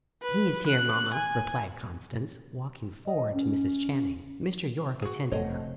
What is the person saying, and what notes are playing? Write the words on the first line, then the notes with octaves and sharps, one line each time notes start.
"He is here, mamma," replied Constance, walking forward to Mrs. Channing, Mr. Yorke attending her.
B4
F#6
G#5
D#5
C#4
F#4 G#4
F1 A3 C4 C#5 D#5 F#5